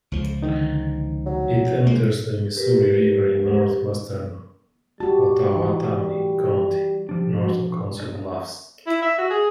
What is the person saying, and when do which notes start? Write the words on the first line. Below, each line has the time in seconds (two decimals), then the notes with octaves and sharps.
It enters the Missouri River in northwestern Pottawattamie County, north of Council Bluffs.
0.12 C#2 F3
0.43 D3 D#3 D#4
1.26 F#3
1.87 G#3 A#3
2.57 G4 A#4 B4
5.00 G3 F#4 G4 A5
5.56 E3
7.09 F3 G3 D4
7.38 F#4
8.87 E4
9.02 E5
9.18 F#4
9.30 G#4